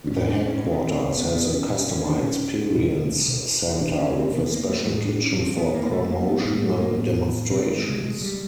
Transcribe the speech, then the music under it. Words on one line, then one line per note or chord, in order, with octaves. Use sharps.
The headquarters has a "customer experience center" with a special kitchen for promotional demonstrations.
D4
A2 C#4
D4
C#4
A#2 C4
B3
C4
A#2 B3
B3
C#4
A#2 C#4
C#4
D4
A#2 C#4
B2
B2
B2 D4
C#4
C4
B2 B3
A#3
A3
A2 G#3
D4
C#4
A#2 C4
B3
A#3
A#3
B2 A3
A#3
C4
B3
A2 A#3
A3
A#3
A2 B3
B2 C4
G#3
B2 G#3
G3